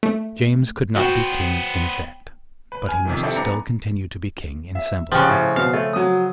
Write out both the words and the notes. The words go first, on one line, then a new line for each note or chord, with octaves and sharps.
James could not be King in effect: but he must still continue to be King in semblance.
A3
B3 F#4 C5 G5
B4
G#5 F6
F2 C3 D#3
C4 D4 E4 G4 A4
D1 B3 D4 A#5 C#7
E5
C#3 F3 G4 G5 F#6
A2
B2 F5
A3
F#3 D#6